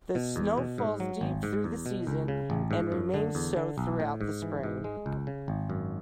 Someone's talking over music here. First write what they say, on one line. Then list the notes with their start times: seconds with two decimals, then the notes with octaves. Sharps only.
The snow falls deep through the season, and remains so throughout the spring.
0.15 B2
0.36 E2
0.58 B2
0.78 G#2
1.00 F#3
1.21 G#1
1.43 G#2
1.64 E2
1.86 B2
2.07 C#2
2.28 C#3
2.50 A1
2.71 G#2
2.92 F#2
3.14 D3
3.35 E2
3.56 D3
3.78 B1
4.00 A2
4.21 G#2
4.42 E3
4.63 G#2
4.84 G#3
5.06 C#2
5.27 C#3
5.48 G#1
5.70 F#2